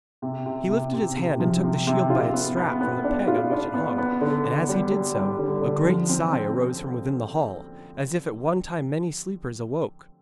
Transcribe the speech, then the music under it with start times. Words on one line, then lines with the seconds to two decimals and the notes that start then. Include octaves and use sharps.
He lifted his hand and took the shield by its strap from the peg on which it hung, and as he did so, a great sigh arose from within the hall, as if at one time many sleepers awoke.
0.22 C3
0.46 C3
0.69 C3
0.93 C3
1.17 C3
1.40 F3
1.63 C3
1.87 C3
2.10 F4
2.33 B3
2.57 B3
2.81 B3
3.04 D4
3.28 F4
3.51 D4
3.74 B3
3.98 B3
4.21 D3
4.45 B3
4.69 G3
4.92 G3
5.15 G3
5.38 D3
5.61 D3
5.85 F3
6.09 C4
6.31 C4